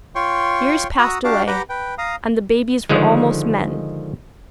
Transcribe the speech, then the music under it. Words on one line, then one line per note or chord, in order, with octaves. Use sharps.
Years passed away, and the babies were almost men.
F4 C#5 G5 C6 C#6
F#4 F#5 A#5 D#6 E6
D4 F#4 G4 F5 A5 D6
G4 B4 F#5 G5 A#5 D6
B4 G5
F5 A#5 D#6
D3 D#3 F3 G#3